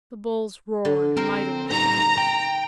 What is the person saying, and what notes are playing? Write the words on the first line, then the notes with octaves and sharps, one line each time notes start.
The bulls roared mightily.
D3
C4 A#4
G3 D#4 A#5
G5